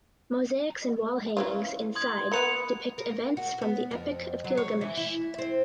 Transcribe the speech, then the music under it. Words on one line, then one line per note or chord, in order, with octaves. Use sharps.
Mosaics and wall hangings inside depict events from the Epic of Gilgamesh.
E3 C#4 F4
C6 D#6 G#6
A#3 B3 B4 B5 C#7 F7
A#4
F#4
B3
F2
F#3
C#5
E3
E4
C4